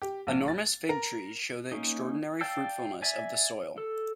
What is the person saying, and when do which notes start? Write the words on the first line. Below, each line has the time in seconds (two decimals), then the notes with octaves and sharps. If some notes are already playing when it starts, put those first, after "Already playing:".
Enormous fig-trees show the extraordinary fruitfulness of the soil.
0.02 G4
0.27 A#1
0.48 A6
0.89 A#4
1.72 A#3 C#4 D#4
2.41 D5 F5 G5 A5 E6
3.02 D5 E5 G#5
3.78 A4